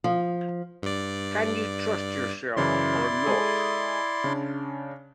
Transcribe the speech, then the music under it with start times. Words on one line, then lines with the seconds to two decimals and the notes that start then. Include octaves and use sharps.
Can you trust yourself or not?
0.04 F3
0.82 G2 D5
2.57 F#2 C#3 E3 E4 D5 C6
3.26 G#3 G#4 A4
4.24 C#3 C#4 D4